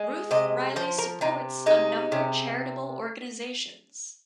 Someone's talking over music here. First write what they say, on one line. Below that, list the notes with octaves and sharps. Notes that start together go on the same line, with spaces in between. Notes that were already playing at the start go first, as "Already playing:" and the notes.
Ruth Riley supports a number charitable organizations.
Already playing: G#3
C3 D#5
F3 C5
A#4
C3 D#4
G#3 D#4
C3